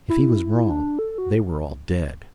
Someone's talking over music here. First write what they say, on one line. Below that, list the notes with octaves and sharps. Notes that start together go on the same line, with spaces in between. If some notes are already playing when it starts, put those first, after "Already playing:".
If he was wrong, they were all dead.
E4
D4
A4
F#4